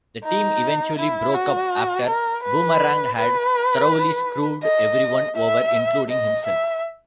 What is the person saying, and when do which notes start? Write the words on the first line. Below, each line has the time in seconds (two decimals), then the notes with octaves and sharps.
The team eventually broke up after Boomerang had thoroughly screwed everyone over, including himself.
0.24 D#4
0.98 E4
1.34 F#4
2.07 A#4
2.44 B4
3.16 B4
4.63 D#5
5.36 E5
6.09 D#5
6.46 E5